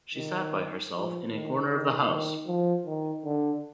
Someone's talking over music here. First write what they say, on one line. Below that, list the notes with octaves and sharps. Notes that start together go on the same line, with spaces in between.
She sat by herself in a corner of the house.
D#3
F3
D#3
D#3
D#3
F3
D#3
D3